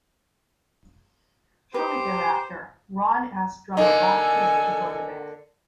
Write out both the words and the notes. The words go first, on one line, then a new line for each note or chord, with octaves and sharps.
Shortly thereafter, Ron asked drummer Rob King to join the band.
G4 B4 C5
D3 A#3 D#4 A4 G#5